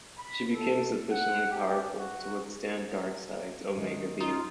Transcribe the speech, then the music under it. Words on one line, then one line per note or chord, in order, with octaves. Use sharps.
She became sufficiently powerful to withstand Darkseid's Omega Beams.
B5
A4
F#5
G4
F#4
D#3 G#3
D#4 F4